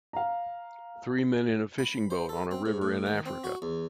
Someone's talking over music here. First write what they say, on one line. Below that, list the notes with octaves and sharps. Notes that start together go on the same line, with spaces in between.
Three men in a fishing boat on a river in Africa.
F5 A#5
B5
C5
A4
C4
G#2
A2
D#3
C4
F#4
E2